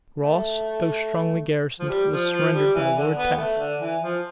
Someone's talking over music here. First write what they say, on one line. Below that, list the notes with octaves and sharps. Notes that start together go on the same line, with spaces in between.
Ross, though strongly garrisoned, was surrendered by Lord Taffe.
A3
F3
G3
F3
F3
G3
E3
D3
B3
A3
D3
E3
F3